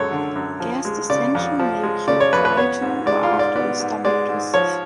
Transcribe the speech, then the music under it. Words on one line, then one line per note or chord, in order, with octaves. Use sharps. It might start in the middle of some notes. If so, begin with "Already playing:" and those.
Gas distension may occur prior to or after the stomach twists.
Already playing: F#2 G#3 A4 C#5
D3
F#2
F3
G#3
C#3 D5
F2
F3
G#3
C#3 D5
C#5
F2 B4
B4
B3 C#5
G#2
G#3 D5
F4
G#2
D5
B3 D5
G#2
G#3 D5
G#2
F3 C#5